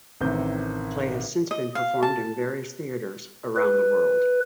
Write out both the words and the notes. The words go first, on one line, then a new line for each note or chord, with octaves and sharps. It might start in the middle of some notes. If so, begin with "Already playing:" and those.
The play has since been performed in various theatres around the world.
A1 C3 D#3 G6
D#5
F5
A5
B4